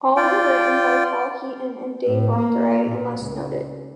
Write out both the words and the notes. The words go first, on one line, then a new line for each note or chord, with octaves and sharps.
All were written by Paul Heaton and Dave Rotheray unless noted.
F4 D5 G5
A2
A#3
A#2
C#2